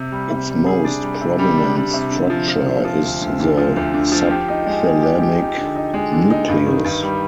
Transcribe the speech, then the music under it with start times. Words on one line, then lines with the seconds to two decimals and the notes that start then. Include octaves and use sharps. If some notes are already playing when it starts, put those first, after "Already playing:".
Its most prominent structure is the subthalamic nucleus.
Already playing: C3
0.12 G3
0.30 C3
0.48 G3
0.66 G#4
0.85 D4
1.03 G3
1.21 C3
1.39 G3
1.57 D4
1.75 G3
1.93 C3
2.11 D3
2.30 F3
2.48 F3
2.66 F3
2.84 F3
3.03 D2
3.21 D2
3.39 D2
3.57 F3
3.76 D2
3.94 D3
4.12 F3
4.31 G4
4.48 D#4
4.66 G#3
4.85 G#3
5.02 G4
5.21 G4
5.39 D#4
5.57 D3
5.76 D#4
5.94 G#3
6.12 D3
6.30 D#4
6.48 G2
6.66 D#3
6.85 G2
7.03 G3